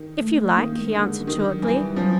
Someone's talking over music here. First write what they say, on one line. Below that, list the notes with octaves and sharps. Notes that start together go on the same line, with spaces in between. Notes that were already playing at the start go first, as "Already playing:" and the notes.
"If you like," he answered shortly.
Already playing: D#3
A3
D#3 A#3
G#3
D3
G#3
F#3
D#3 G3
F#3
E3 G3
G3
F3 F#3